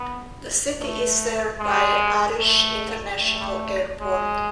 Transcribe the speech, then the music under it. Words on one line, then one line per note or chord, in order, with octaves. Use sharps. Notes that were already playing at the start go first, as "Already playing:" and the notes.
The city is served by Arish International Airport.
Already playing: B3
A3
G#3
A3
A3
G#3